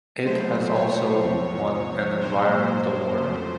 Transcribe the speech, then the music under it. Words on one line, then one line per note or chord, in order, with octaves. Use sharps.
It has also won an environment award.
B2 F#3 A3 C5
C#5
E2 C3 F3
A#2 F#3 A#3 C5
F2 C#3 F3 A3